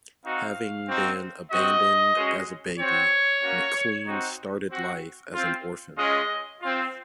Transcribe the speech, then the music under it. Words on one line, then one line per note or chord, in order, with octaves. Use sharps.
Having been abandoned as a baby, McClean started life as an orphan.
C4 D#4 F#4 F5
C4 D#4 F#4
C4 F#4 D#5
G#3 C#4 F#4
C4 F#4 C#5
A#3 C#4 F#4
C4 D#4 F#4
C4 F#4
C4 F4
G#3 C#4 F4 D#5
C4 F4